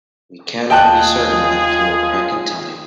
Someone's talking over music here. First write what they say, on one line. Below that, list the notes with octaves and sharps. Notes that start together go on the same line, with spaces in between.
We cannot be certain that he will crack in time.
D#2 F4 G#4 D#5 G5 A5 F#6